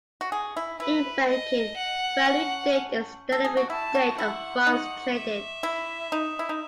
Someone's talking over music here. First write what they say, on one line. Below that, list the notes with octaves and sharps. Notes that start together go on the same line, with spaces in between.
In banking, value date is the delivery date of funds traded.
F#4
G#4
E4
E4 B4
D#5
F#5
C#4
C#4
A4
G#4
F#4
E4 A5
F#4
E4 F#5
D#4
E5
E4
D#4
E4
D#4